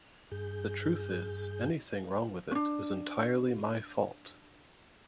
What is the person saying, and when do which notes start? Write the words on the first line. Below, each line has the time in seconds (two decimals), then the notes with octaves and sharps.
The truth is, anything wrong with it is entirely my fault.
0.32 G2 G#4 G6
2.52 C#4 D4